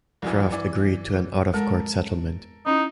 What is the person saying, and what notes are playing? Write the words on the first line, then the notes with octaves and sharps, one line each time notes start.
Kraft agreed to an out-of-court settlement.
C2 F#2 E3 A4
E3 D5 F#5
G#3 A4 A#4
C#4 D#4 E4